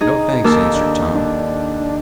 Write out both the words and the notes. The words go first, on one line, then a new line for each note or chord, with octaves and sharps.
"No, thanks," answered Tom.
D#4 G#4
D#2 D#4 A4 A#4
D4
D4